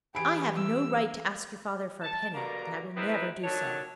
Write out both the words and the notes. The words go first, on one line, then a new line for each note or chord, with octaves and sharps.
I have no right to ask your father for a penny, and I will never do so.
E3 G4 G#4 B5 D7
E6
A5
G2 B2 D3 A#3 A#5
G#3 B3 C4 E4 A#4 B4
D3 D#3 F#3 C#5 A5